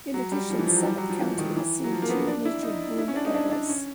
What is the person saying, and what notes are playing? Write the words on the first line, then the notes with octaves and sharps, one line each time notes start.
In addition, Summit County has seen two major boom eras.
F#3
G3
F3
E3
F3
F#3
G3
F#3
F3
E3
D#3
E3
F#3
F3
A#3
B3
D4
E4
D#4
E4
C#4
D4
D#4
D4
D4
C#4